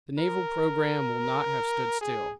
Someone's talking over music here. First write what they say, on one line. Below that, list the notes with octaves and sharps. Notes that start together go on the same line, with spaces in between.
The naval programme will not have stood still.
A#4
G#4